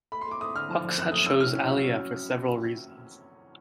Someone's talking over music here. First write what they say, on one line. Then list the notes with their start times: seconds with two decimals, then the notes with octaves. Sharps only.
Hoxha chose Alia for several reasons.
0.12 A3 B5
0.21 C6
0.27 A3 D6
0.41 A3 D#6
0.55 D3 F6
0.69 F3
0.84 F3
0.98 F#2 F#6
1.12 A3 D#6
1.26 C#4 E6
1.40 A2 F6
1.55 C#4
1.69 F#3